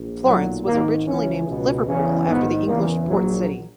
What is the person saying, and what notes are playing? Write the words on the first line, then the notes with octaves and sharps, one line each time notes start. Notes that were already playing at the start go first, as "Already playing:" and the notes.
Florence was originally named Liverpool after the English port city.
Already playing: A#1
B1 A#2 F#3
G#1 G#2 D#3 A#3
C#2 C#3 E3 C#4
C#2 B2
E2 C#3 E3 C#4
A#1 G#2 D#3 B3
E2 C#3 E3 A#3
A#1 A#2 F#3